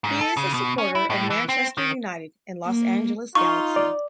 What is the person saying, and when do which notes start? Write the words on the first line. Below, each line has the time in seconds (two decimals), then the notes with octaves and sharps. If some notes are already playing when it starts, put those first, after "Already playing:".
He is a supporter of Manchester United and Los Angeles Galaxy.
0.04 G#2
0.21 A4
0.37 C#3
0.54 B2
0.78 C#4
0.95 E4
1.10 A2
1.30 E3
1.49 C4
1.77 D#3
2.66 A#3
3.35 D#4 F4 C#6
3.76 D5